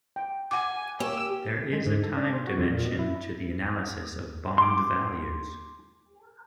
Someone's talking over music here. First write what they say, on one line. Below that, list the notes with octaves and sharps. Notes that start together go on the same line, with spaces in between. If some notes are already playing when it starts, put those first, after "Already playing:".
There is a time dimension to the analysis of bond values.
G5
F#5 G#5 D6
A#3 G4 C#5 G#5 E6
G#3
G#2
A4
D4
C5
F#4
F2
A#2
B2
E4
C6 D6